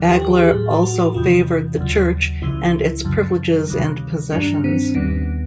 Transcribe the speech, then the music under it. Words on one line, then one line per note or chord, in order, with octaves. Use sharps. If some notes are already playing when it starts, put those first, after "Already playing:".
Bagler also favoured the church and its privileges and possessions.
Already playing: D#2 D#3 F#3
G4
G4
G#4
A2 F#3 G#4
F#4
E2 C3 E3 F4
D#2 C#3 F#3
C#2 C#3 F3 E4
F#2 C#3 F#3
D2 C3 D#3 G3
G2 D#3 G3 D4
C4
D#2 D#3 G3 B3